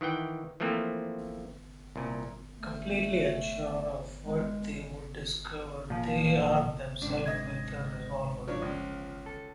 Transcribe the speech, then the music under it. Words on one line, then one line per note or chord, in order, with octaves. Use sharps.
Completely unsure of what they would discover, they armed themselves with a revolver.
D#3 E3 F#5 G5
E3 F3 A3 A#3 C4
C2 A#2
A3
G#3
A#2 F3
G#2 C3 D4
D#5 G#6
F3 D4 C#5 D5
C#2
A4